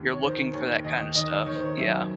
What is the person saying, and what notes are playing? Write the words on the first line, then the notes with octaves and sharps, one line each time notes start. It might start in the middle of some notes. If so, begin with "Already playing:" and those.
you're looking for that kinda stuff. Yeah.
Already playing: D#2
C#5
D#3 C5
D#2 C#5
D#2 D#5
D#3 D#5
D#3 C#5
C5
C#5
F#2 E5